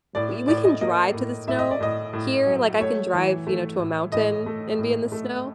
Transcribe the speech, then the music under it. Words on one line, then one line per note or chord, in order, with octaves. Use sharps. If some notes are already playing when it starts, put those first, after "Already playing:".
we we can drive to the snow here. Like, I can drive, you know, to a mountain and be in the snow.
A2 D5
A2 D5
D#5
A#3 D#5
A2
A2 E5
D#5
D5
A2 D#5
A2
F#3
A3 C#5
E3
A3
A2
A2 D#5
A3
A2
A3